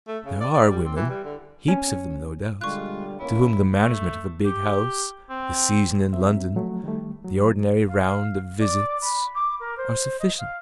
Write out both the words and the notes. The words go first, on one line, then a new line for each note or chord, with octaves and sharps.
There are women, heaps of them, no doubt, to whom the management of a big house, the season in London, the ordinary round of visits, are sufficient.
A3
C#3
D5
D5
G3
C4
E3
G3
D3
C#4
B2 D3 G3 G#3 F4 C#6 F#6
C#2 A#3 C#4 E4 C#5
A3
G4
C4
F#3 C4 E5
F3 F#3 A3
D#3 G3 A3
F#3
F5
D5
B5
D6
A#4
C5
D#5
F5